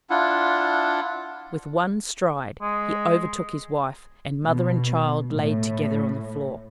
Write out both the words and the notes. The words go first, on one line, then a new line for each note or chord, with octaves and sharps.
With one stride he overtook his wife, and mother and child lay together on the floor.
D4 E4 F4 F#5
G#3
B2
A2